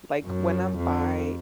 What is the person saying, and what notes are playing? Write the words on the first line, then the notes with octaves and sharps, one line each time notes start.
like, when I'm by
F#2
F2